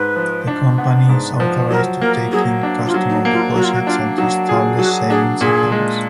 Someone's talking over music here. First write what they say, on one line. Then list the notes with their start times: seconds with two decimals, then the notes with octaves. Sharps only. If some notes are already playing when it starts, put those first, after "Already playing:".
The company is authorized to take in customer deposits and to establish savings accounts.
Already playing: G#2 B4
0.16 F3
0.47 D4
0.78 B3
1.09 G#2
1.40 F3
1.71 F#3 A#4
2.01 A#3 A#4
2.32 F#3 G#4
2.63 D4
2.87 F4
2.94 F#3
3.10 D#4
3.25 A#3
3.33 F4
3.56 F#3 F#4
3.65 F4
3.74 F#4
3.87 D4 F4
4.17 F#3 D#4
4.49 F4 G#4
4.79 F#3 F#4
5.10 D4 G#4
5.41 A#2 G#4
5.72 G#3